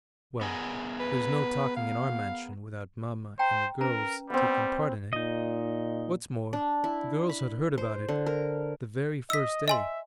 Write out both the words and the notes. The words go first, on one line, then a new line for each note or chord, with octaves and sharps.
Well, there's no talking in our mansion without mamma and the girls taking part in it. What's more, the girls had heard about it the very first day.
B3 G#4 A#4
B4
F5
C5 G5 A#5
C#4 A#4 B4 A#5
G3 B3 C4
A#2 D#4 D#5
D4
E4
B5
C5
D3
A#4
D#5 E6 B6
D#5 E5 G#5 C6